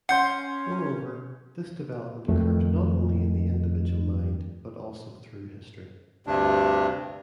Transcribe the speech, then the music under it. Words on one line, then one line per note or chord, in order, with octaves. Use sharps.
Moreover, this development occurs not only in the individual mind, but also through history.
C#4 F#5 C6 G6 C7
F2 D#3 A3
D2 G2 C3 D4